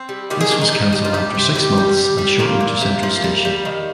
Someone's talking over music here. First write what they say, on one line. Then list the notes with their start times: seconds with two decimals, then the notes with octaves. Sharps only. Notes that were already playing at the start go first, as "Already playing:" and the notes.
This was canceled after six months and shortened to Central Station.
Already playing: C4
0.09 G3
0.30 D#3 G4
0.41 G#4
0.51 G#3 D4
0.61 D#4
0.73 G3
0.93 G3
1.05 F4
1.14 G3 G4
1.35 C3
1.55 G3 G4
1.77 G3
1.98 G3
2.18 G3
2.39 A#2 A#3
2.60 A#2
2.81 C3
3.03 F3
3.24 G3
3.45 G3
3.65 D#3